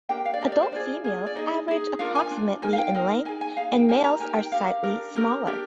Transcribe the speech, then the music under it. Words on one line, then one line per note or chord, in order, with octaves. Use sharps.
Adult females average approximately in length, and males are slightly smaller.
D4 G4 A#4 G5
F5
D5
D4 G4 A#4 D#5
D5
C5
D4 F4 G#4 D5
D4 F4 G#4
D5
D#4 G#4 D#5
D#4 G#4
D4 F4 A#4 F5
G#5
D4 F4
D#4 A#4 G#5
F5
G5
D#4 A#4
D#4 G#4 G#5
G#5
D#4 G#4 F5
G5
D#4 G4 A#4 G#5
A#5
D#4 G4 A#4 G#5
G5
D4 G4 A#4 F5
D4 G4 A#4
D4 G4 A#4
D4 G4 A#4